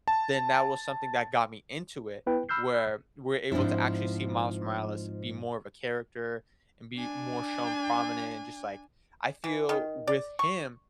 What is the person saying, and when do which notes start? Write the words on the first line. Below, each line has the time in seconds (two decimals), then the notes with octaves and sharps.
then that was something that got me into it where we're able to actually see Miles Morales be more of a character and be more shown prominent, and just, like I feel with him,
0.08 A5
2.27 B3 E4 B4 G5
2.49 B5 E6 F6 G6 C7
3.52 G#2 F3 C4 D4 E4
6.98 D4 G#5
9.44 E3
9.69 D#3
10.07 D5
10.39 C#6